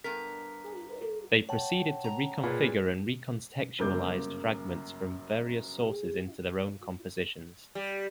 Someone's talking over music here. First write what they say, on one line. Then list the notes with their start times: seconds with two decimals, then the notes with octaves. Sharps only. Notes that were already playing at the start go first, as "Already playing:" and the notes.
They proceeded to reconfigure and recontextualize fragments from various sources into their own compositions.
0.04 G2 B3 A#4 B6
1.49 C#5 F#5 G5 A5
2.04 A#5
2.43 A#2 G#4 B4
3.79 G1 F#2 C#3 A#3 D6 G6
7.75 G3